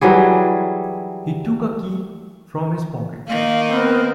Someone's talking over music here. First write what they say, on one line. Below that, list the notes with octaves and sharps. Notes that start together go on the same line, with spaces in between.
He took a key from his pocket.
E3 F#3 G3 G#4
D#3 A#3 F5
B3 C4 A#4